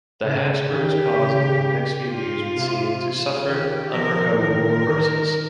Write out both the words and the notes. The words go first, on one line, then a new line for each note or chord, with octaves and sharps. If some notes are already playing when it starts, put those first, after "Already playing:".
The Habsburg cause in the next few years would seem to suffer unrecoverable reverses.
C#3
D#3 G4
C#3
F4
C3
D#3 G4
F3 A#4
D#3 A#4
D#3